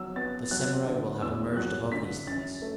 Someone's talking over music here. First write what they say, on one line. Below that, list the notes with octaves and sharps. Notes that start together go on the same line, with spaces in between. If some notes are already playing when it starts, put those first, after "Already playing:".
The samurai will have emerged above these things.
Already playing: F#3 B3 E6
B3 A6
F#3 F#6
D3
E2 E6
F#3 F#6
D3 B6
F#2 A6
A3